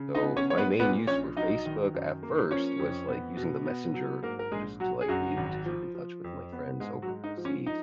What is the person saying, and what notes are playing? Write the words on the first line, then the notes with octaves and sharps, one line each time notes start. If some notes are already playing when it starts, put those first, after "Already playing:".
So, my main use for Facebook at first was, like, using the messenger just to, like, be able to keep in touch with my friends over the seas.
Already playing: C#3
D#4 D#5
B3
C#4 C#5
G#3 C#5
B3 B4
A#2 B3 B4
A#1 C#4 C#5
F#3 D#4 D#5
D#3
F#2
A#3
F3 C#4 C#5
F2
B3
B2
B3
F#3
G#2 A#3 A#4
A#4
A#1 G#3 G#4
F#3 F#4
G#4
F#2 F#3 F#4
G#1
F3
F3
F2
B3
G#2 G#3 G#4
F#3 F#4
G#3
D#4
F3
C#4
D#4